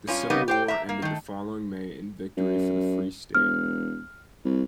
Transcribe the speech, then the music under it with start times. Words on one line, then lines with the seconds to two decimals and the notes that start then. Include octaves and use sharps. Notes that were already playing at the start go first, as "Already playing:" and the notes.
The Civil War ended the following May in victory for the Free State.
0.07 G2 C#4 F4
0.30 C#3 G3 A#3 B3 D#4
0.48 G4 C5 G5
0.68 E5 A#5
0.89 A#3
1.02 D#3 A3
2.37 F#2
3.35 E1 F6
4.45 C2